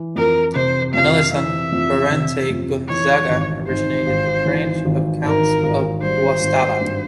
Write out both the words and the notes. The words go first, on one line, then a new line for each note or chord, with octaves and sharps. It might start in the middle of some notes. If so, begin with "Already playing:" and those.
Another son, Ferrante Gonzaga originated the branch of the Counts of Guastalla.
Already playing: E3
F2 A#4
C3 C5
F2 F5
E3 E5
F2
C3
F2
E3 C#5
G#1
G#2 C5
G#1
E3
G#1
G#2 A#4
G#1
G3 C5
G#1
G2